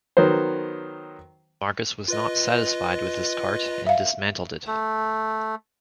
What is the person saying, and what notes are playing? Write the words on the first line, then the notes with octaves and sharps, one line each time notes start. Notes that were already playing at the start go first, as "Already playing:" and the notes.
Marcus was not satisfied with this cart and dismantled it.
D#3 F#3 B3 C5
F4 B4 D#5
E5 F5
A3